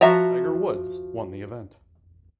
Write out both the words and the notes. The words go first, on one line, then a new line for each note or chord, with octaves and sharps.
Tiger Woods won the event.
F3 F#4 E5 A5 A#5